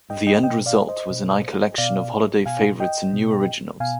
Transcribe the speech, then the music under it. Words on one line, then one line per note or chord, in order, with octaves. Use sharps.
The end result was a lcollection of holiday favorites and new originals.
D#5 G5
D#5 G5
B2 D#5 G5
D5 F5
C5 D#5
B2
B2 D5 F5
B2 F5 G#5
D#5 G5
B2
B2 F5 G#5